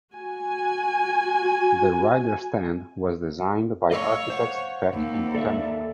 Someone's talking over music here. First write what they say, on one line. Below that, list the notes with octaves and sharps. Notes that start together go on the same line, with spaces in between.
The Ryder Stand was designed by architects Peck and Kemter.
F#4 G#5
C#5 D#5 F5 E6
C5 F5 F#5
D#2
A4 D5 E5